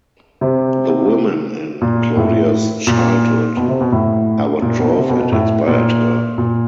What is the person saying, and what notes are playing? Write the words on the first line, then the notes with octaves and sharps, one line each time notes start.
The women in Claudia’s childhood are what drove and inspired her.
C3
A#2
A2
A#2
B2
C3
B2
A2
A#2
B2
C3
B2
B2
A2
A#2
A#2